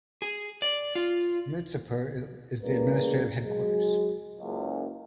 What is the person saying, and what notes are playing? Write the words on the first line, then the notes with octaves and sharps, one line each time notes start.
Mirzapur is the administrative headquarters.
G#4
D5
F4
C#3 E3 G3 G#3 A#3 B4
F#3 G#3 G#4
F#1 C#2 F#2